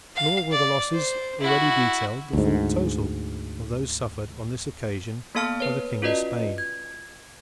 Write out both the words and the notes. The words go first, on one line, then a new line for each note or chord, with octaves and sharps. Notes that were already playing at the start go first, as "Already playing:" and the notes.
Nor were the losses already detailed the full total of those suffered on this occasion by the King of Spain.
F5
D5
C5
E4 F#4
D2 G#2
A#3 B3 A4 F5 A5 F6
B4 C#5
C#4 F4 F#4 B4 D5 D#5
G#6